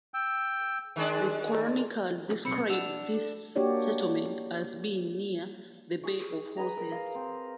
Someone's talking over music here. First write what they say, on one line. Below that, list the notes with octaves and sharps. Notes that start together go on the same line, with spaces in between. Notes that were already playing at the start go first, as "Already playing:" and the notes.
The chroniclers described this settlement as being near the "Bay of Horses".
G5 E6
D#3 G#3 D4
B1 C4 B5 C#7
D4 F#5 E6 F7
A4
A#3 D4 F#4 G4 C#5 D5
G#4 C#6
B4 D#5 G#5 A#5
A#4
F5
C4